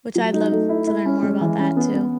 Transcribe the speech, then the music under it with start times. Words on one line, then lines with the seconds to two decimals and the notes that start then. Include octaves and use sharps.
which I'd love to learn more about that too.
0.15 F#3
0.33 D#4
0.52 A3
0.69 E4
0.87 E4
1.06 C#4
1.23 G#3
1.41 E3
1.59 C#4
1.77 B3
1.95 B3